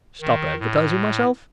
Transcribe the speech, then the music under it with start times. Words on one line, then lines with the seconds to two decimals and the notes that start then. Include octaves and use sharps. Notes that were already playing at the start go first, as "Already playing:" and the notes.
Stop advertising myself!
0.22 D#3
0.59 A2